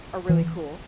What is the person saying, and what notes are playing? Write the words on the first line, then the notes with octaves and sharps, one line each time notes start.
are really cool.
E3